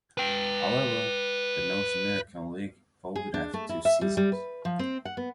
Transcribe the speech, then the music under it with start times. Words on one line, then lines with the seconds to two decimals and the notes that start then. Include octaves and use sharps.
However, the North American League folded after two seasons.
0.18 B4 G5
3.16 G#4
3.34 D4
3.53 A3
3.69 E4
3.85 E5
4.01 G3
4.17 G3
4.32 B4
4.65 F3
4.79 C4
5.05 F#5
5.17 B3